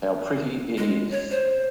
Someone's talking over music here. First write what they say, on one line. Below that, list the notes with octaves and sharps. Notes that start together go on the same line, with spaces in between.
How pretty it is!
G#3
C#5
C5